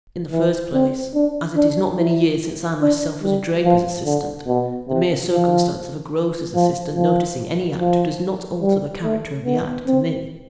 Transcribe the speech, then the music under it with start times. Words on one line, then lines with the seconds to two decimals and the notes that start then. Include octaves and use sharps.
'In the first place, as it is not many years since I myself was a draper's assistant, the mere circumstance of a grocer's assistant noticing any act does not alter the character of the act to me.
0.32 E3
0.73 C4
1.15 D4
1.57 D4
1.98 E4
2.81 D4
3.23 G3
3.64 F3
4.05 D3
4.47 B2
4.88 C3
5.30 F3
6.55 F3
6.95 F3
7.79 F3
8.62 G3
9.04 A3
9.45 B3
9.87 C4